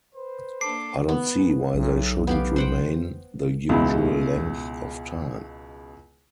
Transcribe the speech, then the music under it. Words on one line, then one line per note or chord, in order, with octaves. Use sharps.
I don't see why they shouldn't remain the usual length of time.
B4 C5
A#3 D4 A4 D6 C7
B3
B1
B3 G4 F5
C5 F#5 G5
C#2 B2 G#3 E4 B5